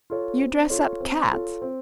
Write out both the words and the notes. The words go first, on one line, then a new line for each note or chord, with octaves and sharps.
"You dress up cats."
F4 A4 C#5
C4
F4 A4 C#5
C4
F4 A4 C#5
C4